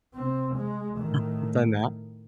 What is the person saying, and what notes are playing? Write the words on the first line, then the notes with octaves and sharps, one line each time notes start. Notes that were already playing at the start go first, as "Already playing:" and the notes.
I've done that.
C3 C4
G#3
A2 D#3